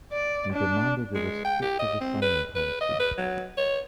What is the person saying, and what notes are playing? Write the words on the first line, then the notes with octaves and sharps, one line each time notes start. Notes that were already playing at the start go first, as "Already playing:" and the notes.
He demanded a restrictive asylum policy.
D5
D4
G#3
G5
G4
D#5
C4
B4
B4
D#5
B4
F#3
C#5